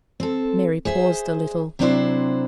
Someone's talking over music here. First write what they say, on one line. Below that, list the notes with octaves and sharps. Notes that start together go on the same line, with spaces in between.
Mary paused a little.
C4 A4
G#4 C5 E5
C3 F#3 C4 D4 E4 C5